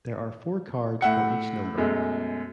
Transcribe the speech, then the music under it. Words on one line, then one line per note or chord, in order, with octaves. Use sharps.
There are four cards for each number.
A2 E5 F#5 C#7
F#2 B2 G#3 A3